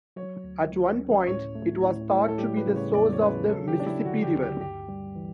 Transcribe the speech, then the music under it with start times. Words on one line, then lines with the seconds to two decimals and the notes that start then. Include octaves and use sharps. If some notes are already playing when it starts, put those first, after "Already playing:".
At one point it was thought to be the source of the Mississippi River.
0.16 F#3 C#5
0.44 D2
0.72 D2
0.99 C#4
1.27 A2 C#5
1.55 A3
1.83 A2
2.10 A2
2.28 A4
2.38 G3 G4
2.57 B4
2.66 C#3
2.76 C#5
2.94 E2 D5
3.13 C#5
3.21 C#3 B4
3.49 F#3 A4
3.68 G4
3.77 F#3 D4
3.86 E4
4.05 D3 F#4
4.23 G4
4.32 D2
4.42 G4
4.60 G2 G4
4.88 G3
5.16 E3